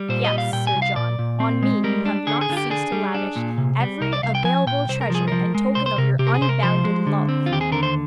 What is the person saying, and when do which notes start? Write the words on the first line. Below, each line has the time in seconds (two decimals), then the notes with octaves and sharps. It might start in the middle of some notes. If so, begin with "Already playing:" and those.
Yes, Sir John, on me you have not ceased to lavish every available treasure and token of your unbounded love.
Already playing: G3
0.09 A#2 C5
0.24 D#5
0.31 G3
0.38 F5
0.53 A#2 G5
0.67 G#5
0.75 C2
0.82 F5
0.96 A#2 D5
1.19 A#2
1.40 C4
1.63 G#3
1.84 G3 A#4
2.06 D4
2.27 D3 G#4
2.41 G#4
2.49 D3 F4
2.57 G4
2.70 D4 G#4
2.92 G3
3.14 D4
3.36 A#2
3.58 C3
3.80 G3
4.01 C2 A#4
4.13 D5
4.23 C2 F5
4.35 G5
4.44 F3 G#5
4.66 A#2 G5
4.89 C2 C5
5.01 A#4
5.10 F3 G#4
5.28 F3 A#4
5.55 G#3
5.75 C2 C5
5.86 C5
5.98 C3 A#4
6.19 C3 G4
6.27 A#4
6.34 G#4
6.41 C3 C5
6.49 A#4
6.63 F3 C5
6.84 G#3
7.07 D3
7.29 C4
7.46 F4
7.51 D#2 G4
7.61 G#4
7.72 D3 A#4
7.83 C5